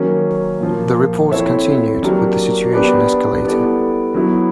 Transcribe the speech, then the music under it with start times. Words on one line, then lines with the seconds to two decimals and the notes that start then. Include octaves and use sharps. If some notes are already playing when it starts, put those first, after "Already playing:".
The reports continued, with the situation escalating.
Already playing: D#3 F#3 A#3 C#4
0.60 A#2 F3 A#3
1.31 C4 E4 A4 C#5 E5
2.02 F#3 A#3 D4 G4 A#4
2.73 B3 D4 G4 B4 D5
3.43 G3 B3 E4 A4 D5
4.14 F#3 B3 E4